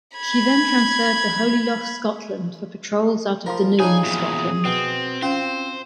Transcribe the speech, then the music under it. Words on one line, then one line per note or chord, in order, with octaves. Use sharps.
She then transferred to Holy Loch, Scotland, for patrols out of Dunoon, Scotland.
B5 G#6
F3 F4 A#4 F5 C6
F3 D4 D#4 G#4 C#5 G#5 B5
E2 A#2
B2 C4
C4 C#4 F4 C5